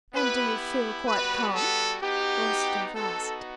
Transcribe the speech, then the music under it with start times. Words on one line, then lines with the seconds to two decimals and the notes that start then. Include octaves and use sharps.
"And do you feel quite calm?" Rostov asked.
0.14 B3 E4 G4 B4
1.08 G3 B3 F#4 B4
1.55 A4
2.02 B3 D#4 F#4 G4
2.95 B3 D#4 F#4 A4